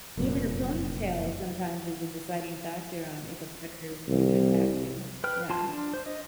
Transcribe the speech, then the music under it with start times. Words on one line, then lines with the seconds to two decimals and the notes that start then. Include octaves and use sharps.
Even a ponytail sometimes is a deciding factor on if a predator is going to attack you. Yeah.
0.17 F1 F#2 A#2
4.08 C2
5.24 B4 G5 F6
5.50 F4 A5 C6
5.69 D4
5.93 C5
6.06 D#5